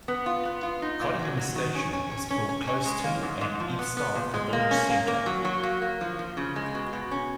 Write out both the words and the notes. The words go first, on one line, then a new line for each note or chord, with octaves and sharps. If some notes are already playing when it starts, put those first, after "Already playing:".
Cottingham station was built close to and east of the village centre.
B3
F4
B3
F4
D#4
A#2
F#3
F#3
D#3
C#4
C#4
C#4
C#4
C#4
C#4
G#3
A#3
G#2
G#2
F3
B3
B3
A#2
G#3
A#3
C#4
A#3
A#3
F#3
F#3
A#3
A#3
F3
F3
C#3
G#3
B2
B2
C#4